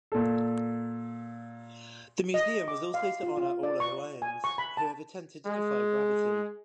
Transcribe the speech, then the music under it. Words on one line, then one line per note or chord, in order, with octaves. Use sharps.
The museum also was to honor all Ohioans who have attempted to defy gravity.
A#2 A4
D#5
D6
F5
F4
F4
D5
C#6
C#6
G#5
C#6
B5
A5
G#3 G#4